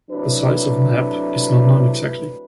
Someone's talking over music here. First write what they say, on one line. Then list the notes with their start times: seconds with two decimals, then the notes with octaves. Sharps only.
The size of Mab is not known exactly.
0.11 C3 F#3 A3 D4 E4 B4